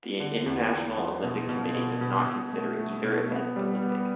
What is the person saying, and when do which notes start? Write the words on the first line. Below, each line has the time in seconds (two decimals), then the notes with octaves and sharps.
The International Olympic Committee does not consider either event Olympic.
0.20 D3
0.46 E2
0.71 E2
0.98 F3
1.23 B2
1.49 B2
1.75 B2
2.01 B2
2.27 B2
2.53 A3
2.79 A3
3.04 B2
3.31 B3
3.56 G3
3.82 B3